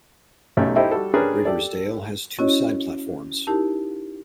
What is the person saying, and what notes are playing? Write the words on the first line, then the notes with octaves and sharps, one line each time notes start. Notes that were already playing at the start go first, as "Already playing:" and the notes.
Riversdale has two side platforms.
B1 F#2 A3 D#4 G4 G5
D#4 E4 G4 A4 C5 D#5
G3 F#4 A4
C#4 D4 G4 G#4 A#4 B4
G4 A4 D5
C#4 E4 F#4 C#5 D#5
D#4 E4 G4 A#4 A5